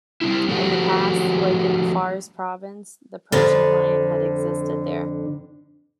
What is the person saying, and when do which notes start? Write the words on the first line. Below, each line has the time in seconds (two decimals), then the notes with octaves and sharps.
In the past, like in Fars Province, the Persian lion had existed here.
0.21 G3 C4 E4
0.48 F3 F#3 A3 C4 F#4 G4
3.32 F2 D3